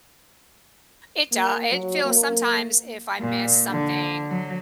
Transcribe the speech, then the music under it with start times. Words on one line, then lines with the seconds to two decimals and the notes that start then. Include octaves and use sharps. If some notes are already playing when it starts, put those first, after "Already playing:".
It doe it feels sometimes, if I miss something,
1.32 A#3
1.71 F#3
2.05 A#3
3.20 A#2
3.70 D3
4.30 F#3